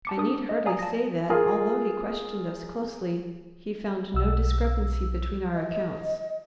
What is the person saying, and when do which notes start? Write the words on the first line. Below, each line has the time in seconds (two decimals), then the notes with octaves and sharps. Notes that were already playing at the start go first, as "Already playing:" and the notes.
I need hardly say that, although he questioned us closely, he found no discrepancy between our accounts.
0.05 A5 D6 C#7
0.17 D4 A#4 A5 D#6
0.49 D#5
0.66 D5 F5 G#5 A#5 D#6
0.79 A5 A#6
1.30 F4 G#4 A#4
4.14 B1 E6
5.54 D#5